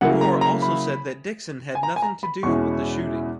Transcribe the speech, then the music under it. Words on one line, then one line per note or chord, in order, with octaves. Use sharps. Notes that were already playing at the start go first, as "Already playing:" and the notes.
Moore also said that Dixon had nothing to do with the shooting.
C#3 F#3 A#3 E4 F#5
A#5
A#5
B5
G#5
A#5
G#5
A#5
B5
E2 B2 G#3 C#4 E4 C#6